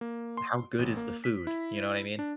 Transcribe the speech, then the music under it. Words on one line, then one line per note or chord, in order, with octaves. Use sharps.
How good is the food? You know what I mean?
A#3
C6
A1
A#3
B6
E4
D4